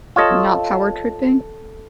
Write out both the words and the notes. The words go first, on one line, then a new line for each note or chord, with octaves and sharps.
not power tripping?
F4 A4 C#5 D#5 E6